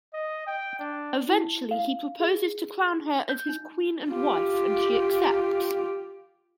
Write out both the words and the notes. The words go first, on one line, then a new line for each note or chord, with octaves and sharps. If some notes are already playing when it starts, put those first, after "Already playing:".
Eventually he proposes to crown her as his queen and wife, and she accepts.
D#5
G5
D4
E4
F5
G#4
G6
D#4
F4 G4